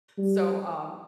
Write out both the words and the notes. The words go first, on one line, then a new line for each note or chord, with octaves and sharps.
So, um
G3